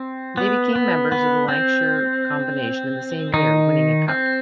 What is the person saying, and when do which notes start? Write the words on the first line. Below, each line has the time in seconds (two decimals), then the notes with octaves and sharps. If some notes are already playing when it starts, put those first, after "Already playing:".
They became members of the Lancashire Combination in the same year, winning a cup.
Already playing: C4
0.37 B3
0.76 B3
1.12 B3
1.49 C4
3.34 D#3 D#4
4.08 C4